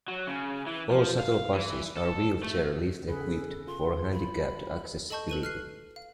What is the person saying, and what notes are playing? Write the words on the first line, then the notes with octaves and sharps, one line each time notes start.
All shuttle buses are wheelchair lift-equipped for handicapped accessibility.
F#3
C#3
E3
F3
F5
E3
A4
A3
C#3 G#4 A4 B4
F4 C6
F#3 F4 B5
A4 D#5 A5 C#6 G6
A4 B4 D#7
F6 F#6 C7
F5